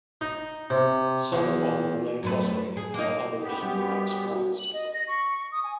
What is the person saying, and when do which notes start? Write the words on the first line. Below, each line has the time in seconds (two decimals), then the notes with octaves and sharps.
Some found the delay frustrating, while others were not surprised.
0.21 D#4
0.70 C3
1.33 E2
2.23 F#2 A3 B4
2.77 G#4
2.94 A#3 D#4
3.42 F#2 B3 G4
3.62 G3
4.31 F#4
4.59 F#7
4.73 D#5
4.94 A#6
5.08 C#6
5.52 D#6
5.64 G#5